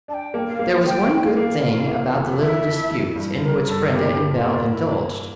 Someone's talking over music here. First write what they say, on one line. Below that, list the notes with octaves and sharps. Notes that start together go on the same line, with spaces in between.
There was one good thing about the little disputes in which Brenda and Belle indulged.
D4 G5 A5
A#3
F5
A#3
A#3 G5
E3
F5
A#3
E3
A#3
F2
F2 E5
E3
E3
G2
G2 A#4
G2 A4
A#3 G4
A#3
F4
A#3
E4